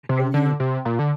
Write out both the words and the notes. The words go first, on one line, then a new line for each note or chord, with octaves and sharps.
and you
C3
D3
C3
A#2
D3